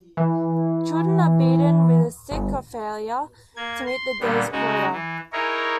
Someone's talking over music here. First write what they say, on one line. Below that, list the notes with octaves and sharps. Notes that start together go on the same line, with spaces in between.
Children are beaten with a stick for failure to meet the day's quota.
E3
G1
A#3 G#6
C6
A#2 D3 G3 B3
C#3 G#3 D#4 F#4
E3
D#4 E4 G#4 A#4 C#5